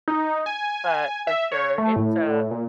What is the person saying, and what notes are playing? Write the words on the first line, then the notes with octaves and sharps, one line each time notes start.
but for sure, it's, uh
D#4
G#5
E5
C#5
A3
A2
A#2